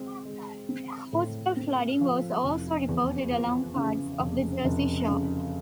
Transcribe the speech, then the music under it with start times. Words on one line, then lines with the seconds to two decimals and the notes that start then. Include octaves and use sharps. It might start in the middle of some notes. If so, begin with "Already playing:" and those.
Coastal flooding was also reported along parts of the Jersey Shore.
Already playing: G#3 C4
0.25 G#3
0.69 C4
1.13 A2
1.57 C4
2.01 F3
2.44 F1
2.88 E2
3.32 F3
3.76 C#3
4.19 F1
4.64 F1
5.08 C#3